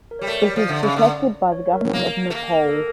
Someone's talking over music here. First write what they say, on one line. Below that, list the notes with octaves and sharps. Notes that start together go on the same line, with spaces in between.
It is protected by the government of Nepal.
A#4
G3 C#5
A3 D5
G3
F3
D3 E5
C#3
D3
C#5
C#5
A#4
A#3
A3
A#3
A4
A#4